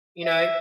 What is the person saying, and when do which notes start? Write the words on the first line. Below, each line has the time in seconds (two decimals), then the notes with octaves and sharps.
you know?
0.25 E5